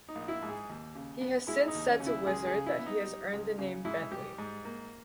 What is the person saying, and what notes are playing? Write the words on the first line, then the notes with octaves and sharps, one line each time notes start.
He has since said to Wizard that he has earned the name "Bentley".
D#4
A#1
E4
G#2
G#4
D#2
C#3
B3
G#3 E4
D#4
D#2
C#4
C#3
E4
C#2 G#4
G#4
C#3
E4
B3
D#4
G3
C#2
C#3
G#2 E4
G3 G4
G#2
A#3